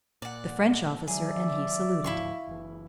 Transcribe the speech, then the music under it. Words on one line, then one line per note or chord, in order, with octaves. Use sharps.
The French officer and he saluted.
A#2 D5 F#5
D#3 F#3 G#4 D5 E5
D2 G#2 F3 E4 F5 C#6
F#1 E3